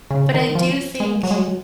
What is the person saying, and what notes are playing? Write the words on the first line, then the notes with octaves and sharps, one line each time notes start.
but I do think
C#3
D#3
F3
G#3
F#3
G#3
F#3